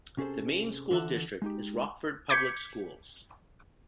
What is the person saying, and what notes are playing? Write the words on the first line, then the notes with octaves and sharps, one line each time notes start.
The main school district is Rockford Public Schools.
C3 C#4 G#4 A4 C5
D3 E3 A4 E5 F#5
G#3 D#4 G4
D6 G6 G#6 B6 C#7